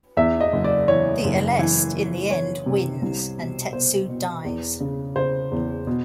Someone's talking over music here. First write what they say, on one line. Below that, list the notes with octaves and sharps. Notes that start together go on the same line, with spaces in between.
The Aleste, in the end, wins and Tetsu dies.
E2 E5
D#5
F#1
D5
E3 C#5
F#1
E3
E3
E3 C#5
C3
C2
B2
B2 C5
B2
E2
C#3
C#3 C5
E2
B2